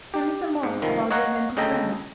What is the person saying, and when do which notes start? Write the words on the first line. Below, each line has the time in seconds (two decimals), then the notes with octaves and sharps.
Tell me some more about your inventive friend.
0.14 G4
0.63 G#2
0.82 C2 D#3 F3
1.11 C#5 D#5 F5 F#5 A#5
1.57 D2 C#3 A4 D#5 G5 A#5